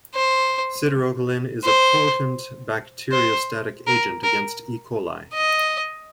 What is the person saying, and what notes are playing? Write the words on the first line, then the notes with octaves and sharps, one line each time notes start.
Siderocalin is a potent bacteriostatic agent against "E. coli".
C5
C5
C5
A#4
A#4
D#5